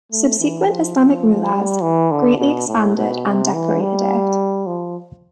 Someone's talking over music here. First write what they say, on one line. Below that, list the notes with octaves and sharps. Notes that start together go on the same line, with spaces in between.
Subsequent Islamic rulers greatly expanded and decorated it.
A3
E3
F3
F3
G3
E3
D3
B2
A2
B2
C3
E3
G3
F3